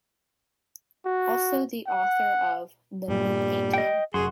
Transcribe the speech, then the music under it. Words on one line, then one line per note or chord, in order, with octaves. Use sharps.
Also the author of "The New Painting".
F#4
F#5
G2 A#2 G3
D#5 G5
F1 F#2 F#4 G#4 C6